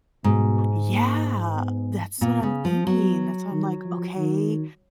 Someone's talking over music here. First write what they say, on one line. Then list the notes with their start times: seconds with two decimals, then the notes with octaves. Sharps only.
Yeah, that's what I'm thinking. That's why I'm like, "Okay."
0.24 G#2 B2
0.90 A#3
1.56 B3
2.21 A#2 B3
2.43 C#3
2.65 F3
2.86 F#3 B3
3.52 D#3
3.85 F3
4.18 D#3